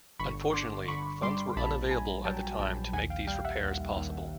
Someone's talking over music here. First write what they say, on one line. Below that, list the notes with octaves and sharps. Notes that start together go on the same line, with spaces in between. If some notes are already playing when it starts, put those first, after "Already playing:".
Unfortunately, funds were unavailable at the time to make these repairs possible.
G1 B5 C#6
D3 C6 D6
D3 B5 C#6
G3 C6 D6
A#1 A5 B5
A#1 G#5 A#5
F#3 G5 A5
A#1 G5 A5
D#2 F#5 G#5
F5 G5
G3 F5 G5
E5 F#5
D#2
D#2